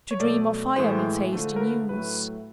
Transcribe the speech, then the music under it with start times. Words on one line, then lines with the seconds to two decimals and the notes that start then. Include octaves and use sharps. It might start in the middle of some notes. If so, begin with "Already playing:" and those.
To dream of fire means hasty news.
0.11 C#5
0.20 B2 F#3 A3 D5
0.76 A2 E3 G#3 C5
1.32 D3 F3 A3
1.56 A#4
1.61 B4
1.89 A2 F#3 A3 B4